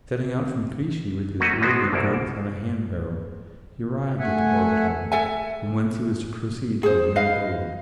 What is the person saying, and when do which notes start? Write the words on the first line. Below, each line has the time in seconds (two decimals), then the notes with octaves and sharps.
Setting out from Clichy with his worldly goods on a hand-barrow, he arrived at the Oratory, from whence he was to proceed to his new abode.
1.40 F#3 A3 A#3 F#4 B4 D#5
1.61 F#3 G#3 B3 C4 D4 F#4
1.92 C2 B2 E3 A#3 A4 D5
4.19 A3 E5 F#5 G#5
5.12 A4 E5 G#5
6.83 G#4 C5
7.16 B4 D#5 F5